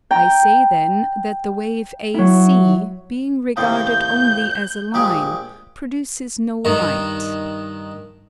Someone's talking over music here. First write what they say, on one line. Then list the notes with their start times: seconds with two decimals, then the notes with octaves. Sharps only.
I say then that the wave AC, being regarded only as a line, produces no light.
0.11 G5 A#5
2.14 F#3 E4
3.57 D#2 A2 C3 G6
4.94 A#1 G#3 G4
6.65 G2 D#3